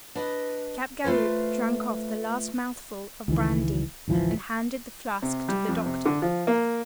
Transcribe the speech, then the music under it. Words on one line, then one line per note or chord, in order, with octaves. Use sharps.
Capgaroupe drank off the last mouthful of brandy, and handed the flask to the doctor.
D4 B4 D#5
A3 F4 B4 C5
C#2 D#3 E3
G#1 C#2 E3 F3
C3
G3
F2
C3
D3
F3
A#3